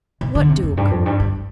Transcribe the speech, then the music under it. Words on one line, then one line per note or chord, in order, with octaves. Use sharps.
"What duke?"
C3
D3
C3
F2
G2
F2
G2
G2